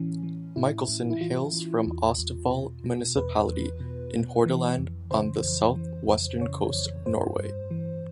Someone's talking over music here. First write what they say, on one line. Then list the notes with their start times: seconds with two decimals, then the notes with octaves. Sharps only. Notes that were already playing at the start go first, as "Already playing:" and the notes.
Michelsen hails from Austevoll municipality in Hordaland on the south-western coast of Norway.
Already playing: A2 E3 C#4
0.23 E3
0.56 A2 E4
0.88 A2
1.10 E4
1.21 E3 F4
1.53 E3
1.87 E2
2.18 E2
2.51 B2
2.84 B2
3.16 E2 B4
3.48 E2
3.80 B2
4.14 B2
4.45 E3
4.78 F2
5.11 C#3 C5
5.44 F2
5.76 E3
6.08 F2
6.41 C#3 C#5
6.73 F2
7.06 G2 C5
7.38 G2
7.71 E3